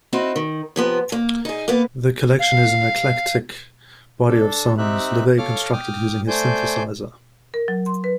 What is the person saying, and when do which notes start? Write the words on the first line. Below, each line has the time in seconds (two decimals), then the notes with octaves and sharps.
The collection is an eclectic body of songs LaVey constructed using his synthesizer.
0.13 C4 D#4 E4 F#4
0.36 D#3
0.76 C3 F3 B3
1.12 A#3
1.45 D#4 G#4
1.68 A#3 B3
2.39 F5
4.28 D4 A4
4.78 C4 D#4 G4 E5 F#6
5.38 A4 C#5 F5 D6 F6
5.72 G5 D6 D#6 F6
6.28 A3 C5 D5 G#5 G6
7.54 A#4
7.68 F#3
7.86 C6
8.04 B4